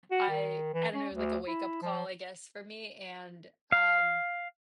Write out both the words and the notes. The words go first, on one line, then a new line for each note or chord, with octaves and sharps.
I I don't know, it was, like, a wake-up call, I guess, for me, and um
F#4
D#3
E3
C#4
D2
E4
F3
F5